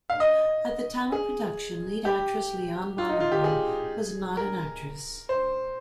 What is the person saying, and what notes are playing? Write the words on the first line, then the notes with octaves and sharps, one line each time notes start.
At the time of production lead actress Liane Balaban was not an actress.
F5
D#5
G#4
G4
F4
D#4
F4
G4
G#4
A#4
C5